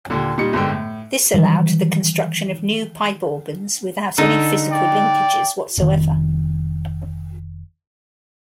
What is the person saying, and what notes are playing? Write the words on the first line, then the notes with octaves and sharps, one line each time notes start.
This allowed the construction of new pipe organs without any physical linkages whatsoever.
D#2 A#2 D3
A#2 G3 D#4 C#7
G1 G#2 D3 G5
A2
D#3 E3 F#3 G3
D3 D#4 A4
D5 G5
F1 D#3